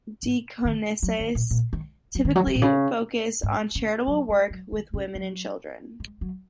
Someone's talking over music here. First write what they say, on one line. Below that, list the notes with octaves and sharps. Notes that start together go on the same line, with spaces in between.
Deaconesses typically focused on charitable work with women and children.
G#2
D#3
F#3
D#3
A#2
A#2
D#3
F#3
D#3
F#3
C#3
A#2
C#3
G#2
C#3
F#3
G#3
F#3
D#3
C#3
F#3
G#3
F#3